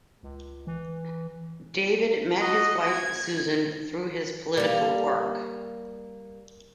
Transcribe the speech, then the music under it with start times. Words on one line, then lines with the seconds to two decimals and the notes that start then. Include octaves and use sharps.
David met his wife, Susan, through his political work.
0.23 C#2
0.67 E3
2.39 F#4 D#5
2.89 G#6
4.57 G3 A#3